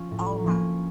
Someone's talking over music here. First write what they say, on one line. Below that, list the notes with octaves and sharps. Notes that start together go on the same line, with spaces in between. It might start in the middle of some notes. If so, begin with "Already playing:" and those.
Oh my
Already playing: F3 C#4 F4
A2
F3 A#3 C#4